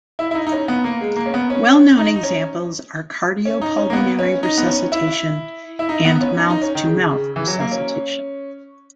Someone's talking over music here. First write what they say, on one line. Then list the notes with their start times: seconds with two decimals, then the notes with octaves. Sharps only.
Well known examples are cardiopulmonary resuscitation and mouth-to-mouth resuscitation.
0.19 E4
0.31 E4
0.35 D#4
0.47 D#4
0.52 C#4
0.68 B3
0.84 A#3
1.01 G#3
1.16 A#3
1.26 C#4
1.34 B3
1.50 C#4
1.98 D#4
2.16 D#4
2.23 C#4
3.45 C#4
3.61 D#4
3.77 C#4
3.90 A#3
3.93 B3
4.19 C#4
4.43 D#4
4.58 B3
4.66 C#4
4.92 E4
5.79 E4
5.89 D#4
6.05 B3
6.15 B3
6.21 C#4
6.37 D#4
6.50 D#4
6.62 C#4
6.75 D#3
6.86 C#3
7.10 C#3
7.36 E3
7.47 F#3
7.60 A#3
7.72 C#4